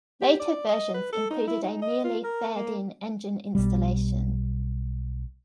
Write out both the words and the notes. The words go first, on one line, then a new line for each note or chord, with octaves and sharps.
Later versions included a nearly faired-in engine installation.
G4
D5
D#5
B4
A4
D#4
E4
D#4
D#5
F4
A#4
A#3
B1 G3